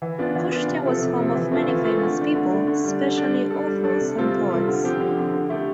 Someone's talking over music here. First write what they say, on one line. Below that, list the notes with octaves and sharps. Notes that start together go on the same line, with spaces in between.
Kushtia was home of many famous people, especially authors and poets.
E3
B3 D4 F4
E3
B3 D4 F4
C3
F3 C4 E4 A4
C3
F3 C4 E4 A4
E3
A3 C4 F4 A4
E3
A3 C4 F4 A4
D3
A3 D4
D3
A3 D4
D3
G3 D4
D3
G3 D4
G3
D4 A4
G3
D4 A4
C3
G3 C4 F4 A4
C3
G3 C4 F4 A4
D3
F3 C4 G4
D3
F3 C4 G4
D3
A3 E4 G4